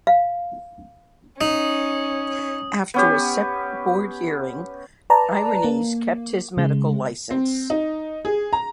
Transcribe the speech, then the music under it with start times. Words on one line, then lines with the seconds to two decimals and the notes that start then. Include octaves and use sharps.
After a separate board hearing, Irones kept his medical license.
0.07 F5
1.41 C#4 D#4 D#6
2.94 B3 C#4 G4
5.10 B4 D5 A5 A#5
5.64 A#3
6.57 C#3 G#3
7.31 C4
7.70 D#4
8.25 G#4
8.53 A#5